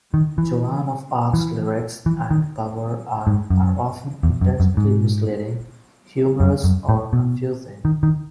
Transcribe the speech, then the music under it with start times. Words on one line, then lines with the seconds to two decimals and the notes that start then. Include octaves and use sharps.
Joan of Arc's lyrics and cover art are often intentionally misleading, humorous, or confusing.
0.14 D#3
0.38 E3
1.34 E3
2.06 E3
2.31 D#3
3.27 G#2
3.50 F#2
4.23 E2
4.41 F#2
4.60 F#2
4.77 G#2
6.40 F#2
6.64 F#2
6.89 A2
7.13 B2
7.85 D#3
8.03 D#3